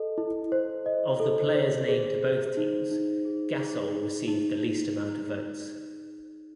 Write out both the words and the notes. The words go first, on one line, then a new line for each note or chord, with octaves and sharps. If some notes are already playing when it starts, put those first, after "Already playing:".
Of the players named to both teams, Gasol received the least amount of votes.
Already playing: A4 D#5
E4
C5
D#5
A4
C5
G#4
C5
D#4
D#4
G#4
G#4
D#4
D#4